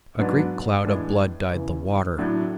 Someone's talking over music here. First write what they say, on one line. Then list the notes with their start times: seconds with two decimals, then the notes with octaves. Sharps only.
A great cloud of blood dyed the water.
0.19 G#2 F#3 B3 D4
0.85 A2 E3 G#3 D4
1.52 E2 C#3 E3
2.18 A2 F#3 A3 D4